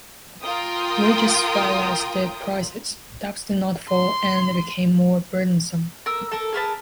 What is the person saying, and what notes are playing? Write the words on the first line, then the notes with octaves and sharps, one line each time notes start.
Wages fell as did prices; debts did not fall and they became more burdensome.
F4 A#4 G5 D#6
C6
A#4 E6
A4 A#4
G#4 A#4 B4 A5